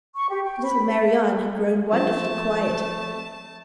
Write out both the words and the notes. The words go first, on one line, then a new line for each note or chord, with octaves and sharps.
Little Marianne had grown wonderfully quiet.
C#6
G4
G5
B5
E5
F3 A3 C4 A5